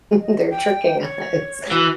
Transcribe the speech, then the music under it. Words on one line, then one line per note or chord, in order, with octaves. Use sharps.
they're tricking us.
D#5
G5
C#5
E3 F#4